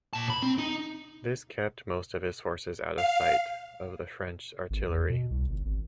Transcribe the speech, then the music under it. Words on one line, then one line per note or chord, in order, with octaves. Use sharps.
This kept most of his forces out of sight of the French artillery.
A#2 A5
B5
C4
D#4
F5
G#1
E2
B2
C2
G1
G#1